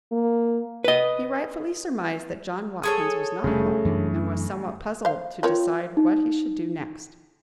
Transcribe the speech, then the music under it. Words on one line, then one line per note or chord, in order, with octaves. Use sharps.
He rightfully surmised that John Watkins was not home and was somewhat puzzled to decide what he should do next.
A#3
B4 D#5
G#4 A4 C#5
F1 C#3 G3 A3
F#2 E3 D4
C5 F5
C4 F4 A#4 C#5
D#4